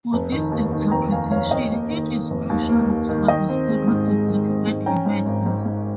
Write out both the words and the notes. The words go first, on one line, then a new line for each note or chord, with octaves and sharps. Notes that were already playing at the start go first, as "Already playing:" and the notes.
For this interpretation, it is crucial to understand what exactly an event is.
F1
D#3
D#2
D#3
F1 G5 A#5
F1 F5 G#5
F1 C#5 F5
F1 D#5 G5
A#3
D#3
A#3
F1
D#2
A#3
D#2
D#3
D#3 D#5 G5
C4
G#3
G#2
G#3
D#3
C4
G#2
C#4 G5 A#5
G#2
G#1
G#2
G#2